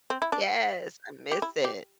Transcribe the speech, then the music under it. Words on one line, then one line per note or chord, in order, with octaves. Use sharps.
Yes, I miss it.
C4
E4
D4
G4
E4
G4